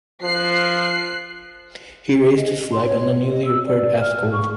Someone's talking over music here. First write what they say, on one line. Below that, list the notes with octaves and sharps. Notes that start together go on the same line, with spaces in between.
He raised his flag on the newly repaired "Askold".
F3 F#6 C7
D#5
C6
C#5
C#5
D#5
E6
D5
F6
C#6